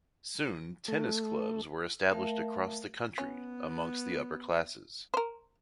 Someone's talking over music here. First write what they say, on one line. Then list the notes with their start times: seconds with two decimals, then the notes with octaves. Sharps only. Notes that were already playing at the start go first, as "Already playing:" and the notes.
Soon tennis clubs were established across the country amongst the upper classes.
0.88 A3
2.12 A3 A#4 E5 F5 A5
3.18 B3 C#4
5.14 A#4 C5